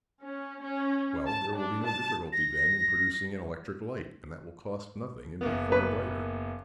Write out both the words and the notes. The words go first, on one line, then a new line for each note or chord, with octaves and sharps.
"Well, there will be no difficulty then in producing an electric light, and that will cost nothing, and be far brighter."
C#4
C#4
A5
D4
A5
A#6
F#1 A#3 B3
B4